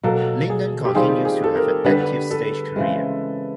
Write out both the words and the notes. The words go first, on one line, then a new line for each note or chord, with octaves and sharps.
Linden continues to have an active stage career.
B2 F#3 A#3 A4
G#4
G4
D#3 G3 C4 F4 G#4
G#4
A4
A#4
D3 G3 B3 B4
A4
C#3 E3 G#3 C4